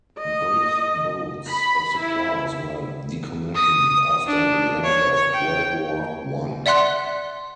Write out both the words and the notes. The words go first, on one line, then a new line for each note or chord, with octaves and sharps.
Both boats of the class were decommissioned after the end of World War I.
D#5
B5
E4
D#6
D4
C#5
G5
D5 E5 F#5 C6 F#6